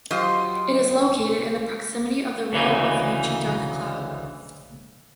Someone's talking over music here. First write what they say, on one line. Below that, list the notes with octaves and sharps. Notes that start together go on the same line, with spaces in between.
It is located in the proximity of the Rho Ophiuchi dark cloud.
F#3 F4 G4 C5 D#5
D2 C#3 E3 D#4